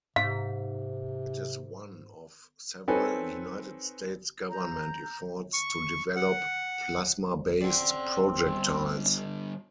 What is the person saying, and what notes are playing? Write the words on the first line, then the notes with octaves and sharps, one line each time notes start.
It is one of several United States Government efforts to develop plasma-based projectiles.
G#2 C3 F5
C4 D#4 A4 B4 C#5 G#5
A#5 G6
C#6
F#5
C4 D5 F#5
D3 G3